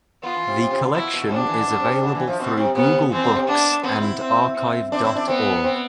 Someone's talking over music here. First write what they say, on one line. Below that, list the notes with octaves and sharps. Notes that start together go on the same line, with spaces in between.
The collection is available through Google Books and archive dot org.
B3 F4
E3
C3
C3
C3
D3
B2 E4
B2
B2
C3 D4
D3
E3
D3
B2
C3
C3
D3
E3
F3
B2 C4
C3
C3 B3
E3 C4
D3
C3
B3 D4
B3 C4
E4
C4
C4
C4 D4
E4
D4
B3 C4
C4